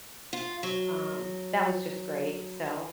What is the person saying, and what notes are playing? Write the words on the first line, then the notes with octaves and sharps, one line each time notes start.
um, that was just great, so
F4
F#3